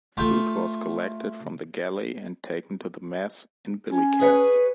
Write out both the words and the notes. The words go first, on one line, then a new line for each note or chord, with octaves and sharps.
Food was collected from the galley and taken to the mess in "billy cans".
A3 F4 F5 G5
C#4
G#4 B4 C#5